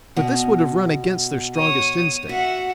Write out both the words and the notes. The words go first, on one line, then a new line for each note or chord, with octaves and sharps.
But this would have run against their strongest instincts.
B2
C#5 D#6
F#4 E5 F#5